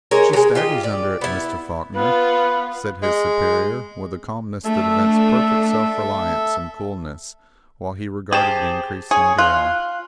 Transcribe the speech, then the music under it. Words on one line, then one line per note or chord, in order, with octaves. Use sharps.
"She staggers under it, Mr. Faulkner," said his superior, with a calmness that evinced perfect self-reliance and coolness, while he regarded the increasing gale.
G#3 A#4 C#5
F#3 G#3
F4 G4 D#5
D5
B3 E4
B3 F4 B4
G#3
A3 D4 A4 E5
G4 G#4 C5 A5
G#4 C#5
F4 F#6